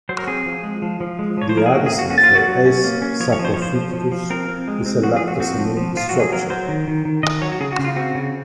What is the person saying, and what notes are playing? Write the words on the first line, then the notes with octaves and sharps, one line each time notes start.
The adhesin for "S. saprophyticus" is a lactosamine structure.
F#3 C5
A#4
F#4
C4 G#4
F3
G#3
F3
F3
G#3
F3 C#5
C5
F3 A#4
G#4
A#3 F#4
G#4
A#3
F#4
C#4 F#4
F4
F#3
F#4
F#3
C#4
A#3
C#4
F3 C#5
C#5
F3
C5
F3 C#5
C5
F3
F3
F3
C4 A#4
C4
G#3
C4
F3 F#4
G#4
F3
F#4
C4 F#4
F3
F3
F3 F4
F#3 F#4
G#4
F#3 A#4
F#3 C5
D#3
D#3
D#3
D#3 D#5
F#3 C#5
F#4
C#3 G#4
F#4
C#3
F4
C4 F#4
C#3